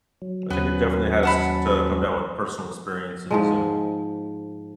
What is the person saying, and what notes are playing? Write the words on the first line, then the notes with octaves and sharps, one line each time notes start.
I think it definitely has t to come down with personal experiences and,
F#3
D#2 F#3 B3 C#4 B4
F#5 A5 B5
G#2 F3 G#3